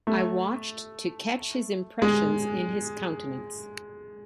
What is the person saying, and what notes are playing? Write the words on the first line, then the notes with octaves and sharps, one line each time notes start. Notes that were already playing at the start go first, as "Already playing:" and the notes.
I watched to catch his impressions in his countenance.
A3
G#3